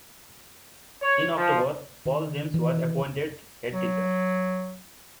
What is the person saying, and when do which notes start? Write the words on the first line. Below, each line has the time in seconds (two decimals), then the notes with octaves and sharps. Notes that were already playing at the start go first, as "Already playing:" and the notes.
In October, Paul James was appointed Headteacher.
1.02 C#5
1.36 F3
2.06 D#3
2.54 E3
3.72 F#3